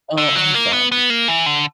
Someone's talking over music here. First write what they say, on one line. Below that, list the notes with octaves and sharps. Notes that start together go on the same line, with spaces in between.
Oh, awesome.
D3
F#3
A#3
B3
B3
A#3
E3
D3